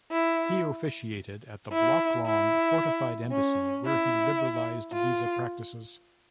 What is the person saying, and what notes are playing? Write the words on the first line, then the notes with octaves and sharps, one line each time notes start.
He officiated at the block-long, fortified embassy where he liberalized visa practices.
E4
E4
E4
C#4
E4
F4